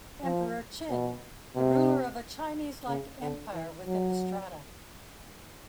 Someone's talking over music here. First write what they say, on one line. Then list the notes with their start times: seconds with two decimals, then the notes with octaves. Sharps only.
Emperor Qin: The ruler of a Chinese-like empire within the strata.
0.24 F3
0.90 B2
1.55 C3
2.87 C#3
3.21 D3
3.53 E3
3.86 F#3